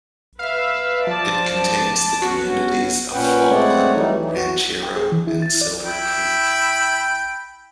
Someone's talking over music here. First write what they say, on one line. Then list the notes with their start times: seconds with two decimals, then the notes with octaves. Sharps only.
It contains the communities of Falkland, Ranchero, and Silver Creek.
0.39 B4 E5 F5
1.07 F3 D5 A5
2.22 B3 C#4 F#4
3.14 A#2 C#4 B4 F#5 G5
3.50 G#3 A3 C4 C#5 D5 F#5
3.94 E3 F#3 G3 A3 D#4
4.14 E3
4.34 F#4
4.83 G5
4.96 G#4
5.12 E3
5.27 E4
5.42 A6
5.61 D5
5.86 E4 G5 B5